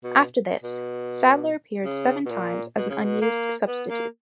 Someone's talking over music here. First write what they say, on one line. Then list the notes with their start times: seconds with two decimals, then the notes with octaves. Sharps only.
After this, Sadler appeared seven times as an unused substitute.
0.03 B2
0.63 B2
1.85 C#3
2.26 B2
2.30 A#2
2.77 B2
2.90 C#3
3.04 B2
3.21 A#3
3.67 B3
3.90 A#3